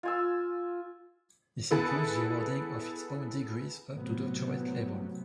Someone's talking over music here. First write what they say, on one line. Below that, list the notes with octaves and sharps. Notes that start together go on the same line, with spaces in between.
This includes the awarding of its own degrees up to doctorate level.
F4 G#5 E6
B3 E4 G#4 A4 B4
A2 C3 F#3 B3